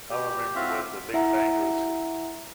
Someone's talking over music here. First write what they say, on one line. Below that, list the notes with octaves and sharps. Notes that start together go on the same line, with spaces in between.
I remember when the big thing was
G4
C4 F4 F#4 E5 F5
E4 E5 F#5 A#5